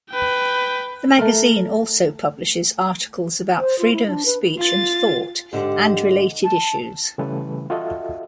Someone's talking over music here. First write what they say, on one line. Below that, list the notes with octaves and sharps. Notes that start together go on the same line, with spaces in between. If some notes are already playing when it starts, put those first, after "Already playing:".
The magazine also publishes articles about freedom of speech and thought, and related issues.
B4 G5
A3 A#4
C5
F4
E4
D4
B4
F4 A6
G#2 D3 G4
A5
C#3 E3 G3 A3 A4 B4
F4 F#4 A4 D#5 E5